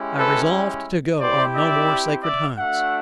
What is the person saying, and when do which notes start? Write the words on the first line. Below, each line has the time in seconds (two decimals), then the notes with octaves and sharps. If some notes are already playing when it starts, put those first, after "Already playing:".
I resolved to go on no more sacred hunts.
Already playing: G#3 C#4 E4 G4
0.18 A4 B4
1.20 C4 E4 G4 C5 D5
1.54 D5 E5
2.23 D5 E5
2.57 A3 D4 F#4 E5 F#5